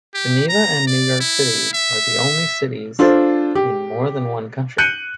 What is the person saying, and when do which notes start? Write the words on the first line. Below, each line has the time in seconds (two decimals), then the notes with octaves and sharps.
Geneva and New York City are the only cities in more than one county.
0.14 G4
0.49 A#5
0.87 D5
1.20 E4
1.73 E5
2.99 D4 F4 A4 C5
3.55 G4
4.78 F#6 G6 C#7 D#7